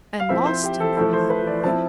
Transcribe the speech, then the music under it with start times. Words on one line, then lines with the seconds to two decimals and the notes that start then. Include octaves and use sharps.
"And lost in them, my boy."
0.20 F5
0.29 F3 C4 E4 E5
0.46 C5
0.63 G4
0.80 A4
0.97 F3 A3 E4 A4
1.13 C5
1.30 B4
1.47 D5
1.64 F3 C4 E4 A5